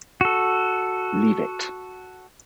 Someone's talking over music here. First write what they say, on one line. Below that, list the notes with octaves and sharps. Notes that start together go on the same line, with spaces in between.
Leave it.
F#4 A4